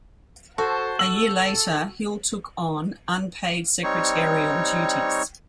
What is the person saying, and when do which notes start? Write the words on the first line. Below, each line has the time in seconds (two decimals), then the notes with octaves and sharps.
A year later Hill took on unpaid secretarial duties.
0.58 F#4 A4 C5 A5
0.99 A4 E6 F#7
3.84 G3 C4 D#4 C#5 C#6